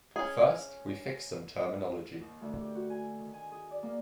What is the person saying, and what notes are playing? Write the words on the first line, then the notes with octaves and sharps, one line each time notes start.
First, we fix some terminology.
C#4 G#4
D#2
D2
G4
F#4
G#5
D#3
G#5
G#4
D5
A#3